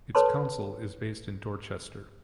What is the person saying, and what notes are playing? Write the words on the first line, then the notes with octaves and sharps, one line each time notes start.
Its council is based in Dorchester.
A4 B4 C#5 A5 C6